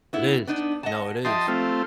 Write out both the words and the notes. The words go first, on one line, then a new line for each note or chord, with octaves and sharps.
It is. No, it is.
B3 E4
B3 D4 D#4
D#5 F#5 A5
F3 G4 D#5 E5 A5 C6
A3 C4 F4